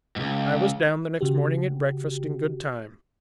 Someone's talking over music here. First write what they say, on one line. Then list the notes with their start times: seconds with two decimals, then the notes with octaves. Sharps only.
I was down the next morning at breakfast in good time.
0.16 C#2 G#2
1.21 C#3 F#4 G4